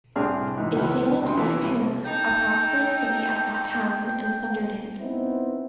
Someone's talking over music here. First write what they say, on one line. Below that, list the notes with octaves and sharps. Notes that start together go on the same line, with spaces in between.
It sailed to Sigtuna, a prosperous city at that time, and plundered it.
C2 A2 C4 D4 G#4 F6
G#2 E3
C#2 E3 F#3 B5 F6
D2 C3 C6
E3 F3 A3 A#3 C#4
C2
D#4 A4 G5
B3 C4 D#4 E4